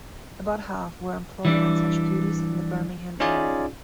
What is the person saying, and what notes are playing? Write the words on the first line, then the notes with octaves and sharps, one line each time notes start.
About half were employed on such duties in the Birmingham area.
E3 G3 D4
C#4 D#4 F4 G#4 D5 G#5